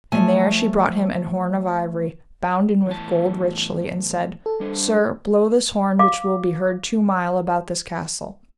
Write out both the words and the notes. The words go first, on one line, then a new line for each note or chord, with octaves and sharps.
And there she brought him an horn of ivory, bounden with gold richly, and said: Sir, blow this horn which will be heard two mile about this castle.
F3 A3 G#5
E2 A2 A5
A4
G3 D4 C5
F5 D6